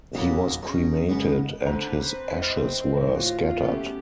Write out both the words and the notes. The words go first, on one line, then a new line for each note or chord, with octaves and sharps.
He was cremated, and his ashes were scattered.
B1 F#3 A#3 D#5 A5 B5
C#4 D#4 G#4
C#3 G#3 B3
D3 B4 C5 A#5
C4 C5
E4 D#5
A2 D#3
F4 F#4
A3 B3 C#4 G4